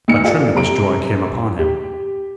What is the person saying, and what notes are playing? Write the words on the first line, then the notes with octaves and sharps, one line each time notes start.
A tremulous joy came upon him.
D2 D#4 C#7
F4 A4 D5
F#2 C3 A#5 D7
G4